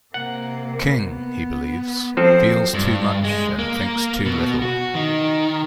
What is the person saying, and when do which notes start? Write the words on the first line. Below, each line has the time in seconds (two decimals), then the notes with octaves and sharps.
King, he believes, "feels too much and thinks too little".
0.14 C3 A#3 F#5
1.07 B3
2.17 F3 F#3 C4 A4 C5
2.74 G2
3.24 G#3
3.59 A#3
4.26 B2
4.62 F#4
4.94 D#3